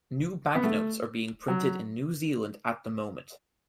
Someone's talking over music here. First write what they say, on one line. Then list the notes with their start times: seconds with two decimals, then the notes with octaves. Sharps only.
New banknotes are being printed in New Zealand at the moment.
0.55 B3
0.64 A3
1.48 F#3